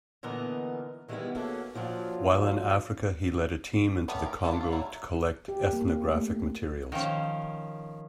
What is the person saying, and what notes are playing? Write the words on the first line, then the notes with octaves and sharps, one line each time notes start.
While in Africa, he led a team into the Congo to collect ethnographic materials.
A#2 D3 E3 B3 A#4 D#5
D#3 E3 G3 G#3 B3 E4
A#3 C#4 F#4 G#4 A4
A#2 F3 F#3 D4 F4
A3 B3 C#4 G4
A#4
A3 D4 E4 F4 A4
F4
F#3 A3 E4
G4
A#3
A3
D#3 F3 C#4